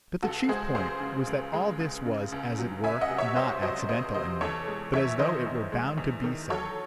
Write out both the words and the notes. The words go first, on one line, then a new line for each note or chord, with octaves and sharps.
But the chief point was that all this was, as it were, not accidental in me, but as though it were bound to be so.
C#2 F#4 A4
G#3 G#4 C5
C#2 G#4 C5
C#3
C#2
G#3
C#2
C#3
C#2
F#3
C#2 E5 G#5
D#5 F#5
C3
C#5 E5
C#2 C5 D#5
F#3 C5 D#5
C#2 C5 D#5
C3 C5 D#5
E2 A4 C#5
G#3
E2 C#5 E5
D#3 C5 D#5
E2
G#3
E2
D#3
F#3 A4 C#5